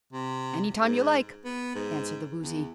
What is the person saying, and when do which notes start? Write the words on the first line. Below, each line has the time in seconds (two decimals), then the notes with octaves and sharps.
"Any time you like," answered the Woozy.
0.13 C3
0.79 G#2
1.45 B3
1.75 G#2
2.39 E2